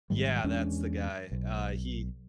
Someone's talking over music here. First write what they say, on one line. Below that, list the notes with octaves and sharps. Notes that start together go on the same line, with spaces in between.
yeah, that's the guy. Uh, he
G#1 G#2 D#3 G3
E2 G#3 C#4 D4
B1